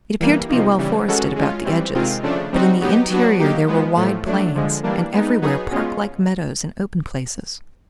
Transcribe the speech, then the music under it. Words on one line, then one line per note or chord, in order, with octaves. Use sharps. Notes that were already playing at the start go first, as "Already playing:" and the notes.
It appeared to be well forested about the edges, but in the interior there were wide plains, and everywhere parklike meadows and open places.
E3 G3 A#3
C3 F3 A#3 D#4
C#3 E3 G3
E3 G#3 C#4 F#4 A4
G#3 C#4 F4
E3 G3 C4
C3 D#3 G#3 C4 F4
C#3 F3 A3 D4
G3 C4 D#4 F#4
F#3 B3 D#4 G4
F#3 B3 D4 F#4
F#3 A#3 D#4 G4
F3 G#3 B3
A2 F3 A3
F#3 A3 D4
D3 F3 G#3
E3 G3 A#3 D4
G#3 B3 D#4
F#3 B3 D#4 G#4
B2 G#3 C#4 F4